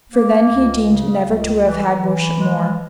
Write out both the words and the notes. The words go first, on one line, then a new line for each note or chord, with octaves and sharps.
For then he deemed never to have had worship more.
A#3
C#2
C#3
C#2
E3
E3
G#3